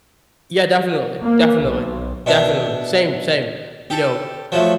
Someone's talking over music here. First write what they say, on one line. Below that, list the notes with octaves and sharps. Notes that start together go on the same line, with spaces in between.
Yeah, definitely. Definitely. Definitely. Same same. You know,
A#3
B1
B2 D4 E4
G4 A4
F3 F#3 A3